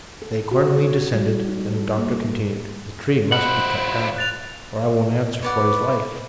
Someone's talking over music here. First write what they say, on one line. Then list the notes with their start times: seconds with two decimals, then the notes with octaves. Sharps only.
They accordingly descended, and the doctor continued, "The tree must be cut down, or I won't answer for his life."
0.22 A4
0.51 F#4
0.79 C#5
1.13 G3
1.49 D#4
1.65 A4
1.98 A#3
2.17 A4
3.32 E4 F4 C5 F#5 B5
4.16 F#6 A6 F7
5.43 B4 C#5 D5 F#5